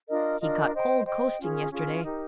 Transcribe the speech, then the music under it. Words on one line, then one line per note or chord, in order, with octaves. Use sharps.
He caught cold coasting yesterday.
D4 F4 A#4 D#5
D4 F4 A#4 D#5
C5 D#5 G5
C5 D#5 G5
C#4 F4 G#4
C#4 F4 G#4
D#4 G4 A#4